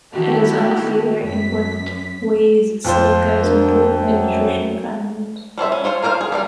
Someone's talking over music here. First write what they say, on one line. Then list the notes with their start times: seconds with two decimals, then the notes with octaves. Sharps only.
It is unclear in what ways silica is important in the nutrition of animals.
0.13 D#3 E4 F#4 G4 A4
1.24 F#2 B6
2.84 F2 F4 C5
3.41 D4 F#4 A#4
3.98 F#2
5.58 G3 C5 C#5 E5
5.72 C#4
5.84 F4 C5 C#5 F5
6.03 F4 A#4 C5 D5 F5
6.21 G#4
6.32 G3 A#3 F5